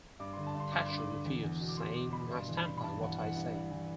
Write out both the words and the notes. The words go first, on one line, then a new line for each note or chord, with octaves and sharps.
Thatcher refused, saying I stand by what I said.
G2 D6
D3 C6
A5
G2 C6
G2 D6
D3 C6
D6
D3
E2
E2
B2
D6
B2 C6
B2 D6
B2 B5
G2 C6
E3
B5
E3
B5
G2 A5
E3 F#5
E3 F#5
G2
G2
E3